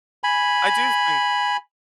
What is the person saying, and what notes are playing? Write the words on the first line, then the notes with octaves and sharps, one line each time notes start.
I do think
G#5 B5